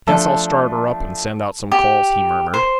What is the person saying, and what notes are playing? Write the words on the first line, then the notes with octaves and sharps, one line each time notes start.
"Guess I'll start her up, and send out some calls," he murmured.
F3 A3 D4 A4
G4
C5